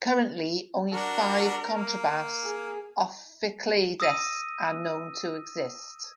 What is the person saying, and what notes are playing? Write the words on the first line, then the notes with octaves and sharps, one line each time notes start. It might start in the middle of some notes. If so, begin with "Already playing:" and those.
Currently, only five contrabass ophicleides are known to exist.
D4 F#4 A#4
A#3
G#4
D#6 E6 A#6 D#7